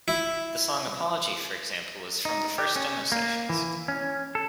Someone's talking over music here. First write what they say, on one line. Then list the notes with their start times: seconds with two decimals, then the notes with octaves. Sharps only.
The song 'Apology' for example was from the first demo sessions.
0.08 E4
2.25 D#4
2.58 G4
2.76 C#4
3.12 A#3
3.49 E3
3.88 C#4
4.35 A4